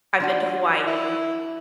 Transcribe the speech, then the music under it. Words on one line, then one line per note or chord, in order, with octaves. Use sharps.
I've been to Hawaii,
F3 D4 F#4
E4